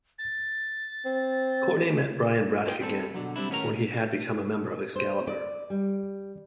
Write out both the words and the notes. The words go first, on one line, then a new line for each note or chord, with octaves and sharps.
Courtney met Brian Braddock again, when he had become a member of "Excalibur".
A6
C4
F4 G#4 A#4 D5 D#5 G5
G3 C4 A4
B2 D3 F#3
G3 C4 D4 E4
D#2 A2 B3 C#4 A#4 A#5
C5
D5
G3